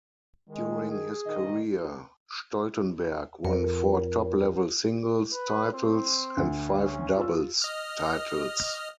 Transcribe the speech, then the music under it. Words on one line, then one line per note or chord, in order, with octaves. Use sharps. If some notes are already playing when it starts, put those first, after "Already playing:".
During his career, Stoltenberg won four top-level singles titles and five doubles titles.
D#3 G#3
G#4
A#2 D#3 D#5
F2 A#4
B4
C4
D2
C#4
F4 E6
D#5 F6